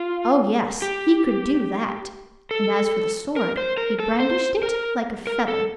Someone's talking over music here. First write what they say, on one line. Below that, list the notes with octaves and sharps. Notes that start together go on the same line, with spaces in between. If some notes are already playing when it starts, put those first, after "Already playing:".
Oh yes! he could do that, and as for the sword, he brandished it like a feather.
Already playing: F4
G4
A4
A#4
C5
A#4
A4
C5
A#4
A#4
A4